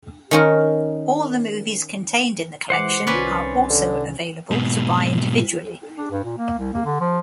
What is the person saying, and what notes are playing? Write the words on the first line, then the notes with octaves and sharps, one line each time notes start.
All the movies contained in the collection are also available to buy individually.
D#3 C#4 A#4
E3 G#3 C5 F#5 D6
C2 C3 D#3 C#4 B4 D5
D3
G#2 B2
D4
G2
A#2
A#3
C2
A#3
D3
F3